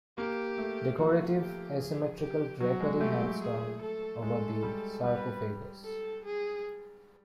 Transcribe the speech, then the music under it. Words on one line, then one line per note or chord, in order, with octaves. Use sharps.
Decorative, asymmetrical drapery hangs down over the sarcophagus.
A#3 G4
A3
F3 F#4
G4
G#4
G4
F#3 F#4
G#3
A3 G4
A3
G#4
A4
G#3 A4
G3
G3 B4
A4
G#4